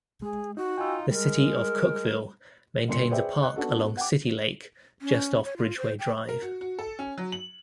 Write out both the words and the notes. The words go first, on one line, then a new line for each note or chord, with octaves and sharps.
The City of Cookeville maintains a park along City Lake just off Bridgeway Drive.
G#3 G#4
D#4 F#4
D#4 F4 G5 G#5 E6
G3 G#3 A#4
G1 A#2 C6 C#7
G#4 B4 C5 D5 E5 G5
D#5 F#6
B3 D4 F#4 A4
F#5 G5 D6
C#4
C#5
F4
C5
G5
A#4
F#4
F#4
A4
C#4
F#3
F#7